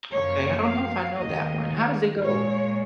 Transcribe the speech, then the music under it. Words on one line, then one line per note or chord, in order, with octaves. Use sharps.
Okay, I don't know if I know that one. How does it go?
F#2 F3 A#3 C#5
F5
D#2 D#3 A#3 D#5
A#2 G#3 C#5